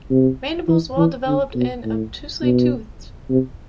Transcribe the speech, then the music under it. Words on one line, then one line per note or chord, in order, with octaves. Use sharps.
Mandibles well developed and obtusely toothed.
C3
E3
E3
D3
B2
A2
B2
C3